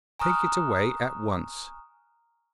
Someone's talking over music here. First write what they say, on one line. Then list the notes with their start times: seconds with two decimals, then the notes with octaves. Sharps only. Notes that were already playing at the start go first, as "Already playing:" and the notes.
'Take it away at once!'
0.19 G#5 A#5 C#6 D#6 F6 F#6